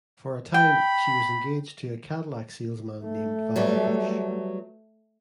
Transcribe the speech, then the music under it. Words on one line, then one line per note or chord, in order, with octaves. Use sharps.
For a time, she was engaged to a Cadillac salesman named Val Hush.
G5 B5
A3
F#3 G3 B3